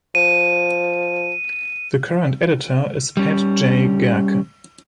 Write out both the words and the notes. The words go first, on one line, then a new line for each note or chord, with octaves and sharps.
The current editor is Pat J. Gehrke.
F3 D#7
G3 C#4